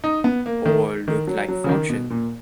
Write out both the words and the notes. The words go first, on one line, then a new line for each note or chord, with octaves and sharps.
Or looked like fortune.
D#4
B3
A#3
D#3
D#3
F#3
F#3
C#3
D#3
B2
A#2